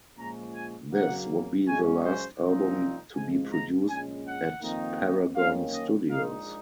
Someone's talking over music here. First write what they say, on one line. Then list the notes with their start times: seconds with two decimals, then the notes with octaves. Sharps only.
This would be the last album to be produced at Paragon Studios.
0.18 A#2 F3 G#3 C#4 A#5
0.55 G#5
0.92 F#2 C#3 F#3 A#3 F#5
1.66 F#2 C#3 G#3 C#4 G#5
2.04 C5
2.40 C2 A#2 F3 C4 D#4
3.14 G#2 F3 G#3 G#5
3.51 A#5
3.88 A#1 A#2 G#3 C#4 G#5
4.25 F#5
4.62 F2 D#3 A#3 D#4
5.36 F#2 D#3 A#3 C#4 F5
5.73 D#5
6.10 A#1 A#2 G#3 D#4 F5